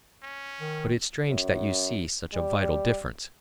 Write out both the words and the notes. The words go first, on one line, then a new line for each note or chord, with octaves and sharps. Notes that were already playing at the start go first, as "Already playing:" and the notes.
"But it's strange that you see such a vital difference."
C#4
D#3
F#2
G3